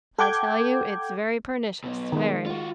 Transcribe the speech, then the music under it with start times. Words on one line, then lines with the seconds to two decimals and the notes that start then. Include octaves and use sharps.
I tell you it's very pernicious--very!
0.18 A4 F#5 G5 D6 G6 G#6
1.84 B1 B2
2.12 D#3 G#3
2.46 F4 F#4